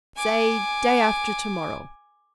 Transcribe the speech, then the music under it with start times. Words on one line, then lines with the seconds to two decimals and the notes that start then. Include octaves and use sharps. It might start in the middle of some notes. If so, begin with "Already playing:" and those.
"Say day after to-morrow."
0.16 G#5 D6